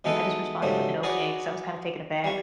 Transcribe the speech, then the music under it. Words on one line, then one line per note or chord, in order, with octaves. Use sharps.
I just responded with an okay 'cause I was kinda taken aback.
B2 E3 G#3 D#4 A4 B4
G#2 C#3 F#3 G3 A3
F#4 G#4 A#4 B4 C#5 D5
G3 C#6